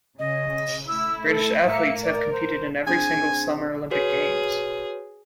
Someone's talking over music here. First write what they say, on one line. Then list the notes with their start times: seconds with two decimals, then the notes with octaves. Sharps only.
British athletes have competed in every single Summer Olympic Games.
0.19 C#3 D#5
0.88 A3 E4 E6
1.27 A4
1.65 A2 A#3 E5 C#7
2.02 A#4 D5
2.32 C5
2.87 C4 D4 G#4 G#5
3.91 F#4 G#4 B4 C#5